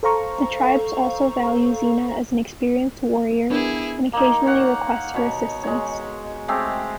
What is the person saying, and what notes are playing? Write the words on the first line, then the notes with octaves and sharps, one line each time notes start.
The tribes also value Xena as an experienced warrior, and occasionally request her assistance.
A4 C5 F5 A#5 C#6
B3 D4 E4 G#4 A#4
A#3 D#4
C#5 F#5
B2 C#5
G#3 C#5
G#3 A3 C4 G4